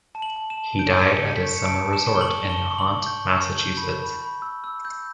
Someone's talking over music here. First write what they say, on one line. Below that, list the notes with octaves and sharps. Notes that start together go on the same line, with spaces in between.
He died at his summer resort in Nahant, Massachusetts.
A5
F#7
A5
E7
A5
G6 D7
G6 B6
C#7
G6
B6
C#6
C#7
A5 D7
A5
E7
C#6
G7
F#7
C#6
A5 G7
C#6
F#7
C#6
G6
C#6
G6
G6
B5
B5
B5
E6
E6
G6